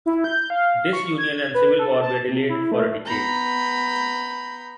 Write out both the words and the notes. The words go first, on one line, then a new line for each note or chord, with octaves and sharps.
Disunion and civil war were delayed for a decade.
E4
G6
F5
C#6
G#6
B4
A4
A5
C3
E4
A3
B3 A#5 B5 G6